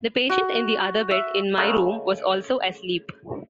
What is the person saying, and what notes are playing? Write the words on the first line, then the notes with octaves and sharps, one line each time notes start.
The patient in the other bed in my room was also asleep.
F#4
E5
C#3 G#3 A3 F#4 A4 A#4